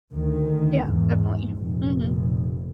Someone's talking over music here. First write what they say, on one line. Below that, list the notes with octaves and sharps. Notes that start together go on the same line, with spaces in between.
Yeah. Definitely. Mhm.
D2 D#3
E2 G#2
F1 A#2